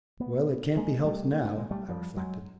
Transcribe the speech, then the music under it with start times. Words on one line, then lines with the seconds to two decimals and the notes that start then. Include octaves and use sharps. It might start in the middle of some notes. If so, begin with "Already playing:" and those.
"Well, it can't be helped now," I reflected.
0.20 A3 B3
0.76 G#3 A#3
0.99 A#3
1.04 G3 A3
1.33 A#3
1.45 A3
1.58 G#3
1.71 G3 A3
1.89 F3 G3
2.17 F#3 G#3